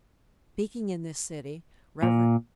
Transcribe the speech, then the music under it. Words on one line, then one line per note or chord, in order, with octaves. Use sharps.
Speaking in this city, Rev.
A#2